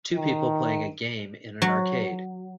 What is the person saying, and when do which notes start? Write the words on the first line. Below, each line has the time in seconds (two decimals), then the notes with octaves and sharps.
Two people playing a game in an arcade.
0.15 D#3
1.62 F#3